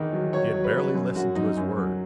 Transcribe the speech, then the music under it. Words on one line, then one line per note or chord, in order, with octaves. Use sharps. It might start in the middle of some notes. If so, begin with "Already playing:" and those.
She had barely listened to his words.
Already playing: E2 D#3 E3
F#3
F#3 C#5
F#3
B4
F#3
F#2
F#2 F#4
F#2 D#4
F#2
F#3